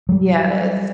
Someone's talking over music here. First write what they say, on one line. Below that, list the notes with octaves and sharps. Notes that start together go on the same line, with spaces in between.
Yeah, it is.
F#3 G3